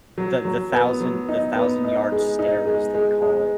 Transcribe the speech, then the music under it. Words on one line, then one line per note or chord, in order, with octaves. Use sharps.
the the thousand the thousand-yard stare, as they call it.
F#3
F#3
B3
F#3
D#4
B3
D#4
G#3
D#4
G#3
G#3
G#3